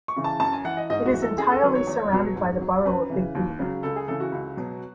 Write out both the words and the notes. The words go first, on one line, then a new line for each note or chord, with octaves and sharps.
It is entirely surrounded by the borough of Big Beaver.
C#6
C#3 E3
A5
F#2 A5
G#5
E3 F#5
D#5
G#2 D#5
F#4
E3
A4
F#2 G#4
A4
D#3 F#3 B4
C#5
E2
B2 F#3
G#2
F#3
F#2 B4
C#3 E3
D#2
C#3 F#3
C#2 A4
G#4
C#3 E3 A4
F#4
C#2
B2 F#3